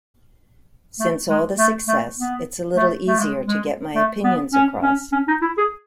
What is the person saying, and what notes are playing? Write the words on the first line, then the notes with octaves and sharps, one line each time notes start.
Since all the success, it's a little easier to get my opinions across.
A3
G#3
A3
A3
B3
A3
A3
G#3
G#3
A3
B3
C#4
C#4
C#4
D#4
E4
G#4